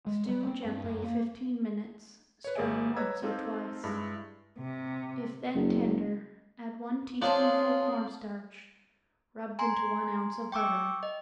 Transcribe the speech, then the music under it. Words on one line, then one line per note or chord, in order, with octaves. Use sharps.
Stew gently fifteen minutes, stirring once or twice. If then tender, add one teaspoonful cornstarch rubbed into one ounce of butter.
G#3
G3
C4
G2
F#2
A#3
B4 C#5
G#1 G4 G#4 D5 E5 G#5
B4 C#5 D#5 A#5 E6 G#6
C4 D#4 F4 G4 A4
G2 G#3 E4
C3
F#1
F3 C4 D4 F4 G#4 C#5
G#5 A#5 C6
G5 C#6 D6 E6
D#5